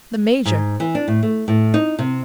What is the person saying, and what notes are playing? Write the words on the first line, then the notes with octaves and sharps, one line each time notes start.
"The major."
G#2
E3
D4
A2
A3
A2
D#4
C3